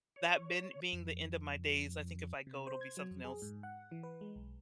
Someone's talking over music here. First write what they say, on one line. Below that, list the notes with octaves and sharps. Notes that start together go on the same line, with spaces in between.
that ben being the end of my days, I think if I go, it'll be something else
C#5
F2
C3
C5
G#6
F#3
F2
G#4
G#2
F#5
E3
B4
G#3
B1